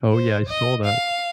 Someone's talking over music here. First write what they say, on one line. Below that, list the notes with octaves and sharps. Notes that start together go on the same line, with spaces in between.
Oh, yeah, I saw that.
C5
D#5
F5